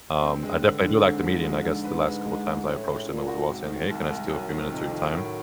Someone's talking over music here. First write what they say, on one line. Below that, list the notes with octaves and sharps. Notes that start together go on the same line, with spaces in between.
um, I definitely do like the meeting. I guess the last couple times I approached him, it was while saying, "Hey, can I steal a few minutes of your time?"
G2 C4
G#3
D3
D3
G#2 C4
F3
G#3
D3
B4
G#3
G#3
G#3
A2 C#4
G#3
A#2 C#4
F#4
G#2 C3
D#3
C2
C2
C2 F#2
D#3
F2 C3
D#3
F#2 A2